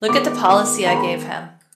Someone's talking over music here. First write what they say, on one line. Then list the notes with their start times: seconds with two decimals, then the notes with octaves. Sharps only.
Look at the policy I gave him!
0.08 D#3 G#3 B3 D6
0.47 D#3 G#3 B3
0.86 D#3 G#3 B3 A#5
0.96 B5